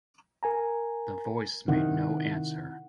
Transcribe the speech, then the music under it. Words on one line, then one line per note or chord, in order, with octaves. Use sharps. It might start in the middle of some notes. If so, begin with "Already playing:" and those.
The Voice made no answer.
A#4 G#5 A#5
C3 D#3 E4 F#5